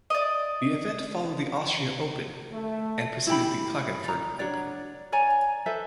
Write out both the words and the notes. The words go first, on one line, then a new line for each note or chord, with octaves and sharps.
The event followed the Austria Open and preceded the Klagenfurt Open.
D5 D#5
A3
E4 G4 G5 B5
D5 A#5
D4 C#5 D5 F#5
C#5 D5 G#5 A#5
A4 B4 C5 E5